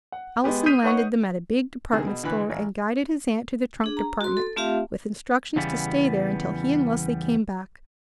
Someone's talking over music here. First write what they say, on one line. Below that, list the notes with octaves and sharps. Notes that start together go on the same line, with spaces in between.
Allison landed them at a big department store, and guided his aunt to the trunk department with instructions to stay there until he and Leslie came back.
F#5
G#3 B3 G4
D#6 G6 B6 C7 D#7 F7
D#4 B4 C#5 F#5 C#6
D2 C3 D#3 G#4
B2
D2 E3 B5 F#6
A1
D4 G#4
A#5
F#4 C6
A4
A3 C4 F4 G4 E5 F5
E2 C#3 E3 G3 B3